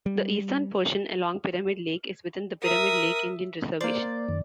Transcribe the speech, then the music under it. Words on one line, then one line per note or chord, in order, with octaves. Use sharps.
The eastern portion along Pyramid Lake is within the Pyramid Lake Indian Reservation.
G3
A#4 E5 D#6
A#3 C5 D5
F#2 D#3